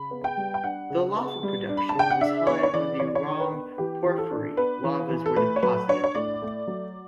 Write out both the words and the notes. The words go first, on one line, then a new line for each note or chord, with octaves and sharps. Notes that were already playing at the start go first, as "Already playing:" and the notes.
The lava production was high when the rhomb porphyry lavas were deposited.
Already playing: C#3 B5
B3
G5
G3
G5
D4 F#5
C#3
B3
G3
D4
B5
A5
C#3 G5
F#5
D4 E5
B3 C#5
C#5
E3 D5
E3 C#5
D5
C#5
D4
B4
B3
E3 G4
E3
A4
D4
B3 B4
E3
E3
A4
A3 B4
C#5
F#3 B4
D4 C#5
C#5
A2 D5
A3
F#3